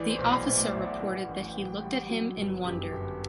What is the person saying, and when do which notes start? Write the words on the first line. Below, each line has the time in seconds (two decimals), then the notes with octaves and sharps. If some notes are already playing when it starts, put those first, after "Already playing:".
The officer reported that he looked at him in wonder.
Already playing: A1 E3 D5
0.09 C5
0.19 B1
0.28 C5
0.45 A2 D5
0.57 D5
0.64 E5
0.73 B1
0.82 F#5
1.00 E3
1.28 A1
1.50 G5
1.56 A2 F#5
1.82 G3
2.09 F#3
2.37 G1
2.64 F#2 G4
2.92 G1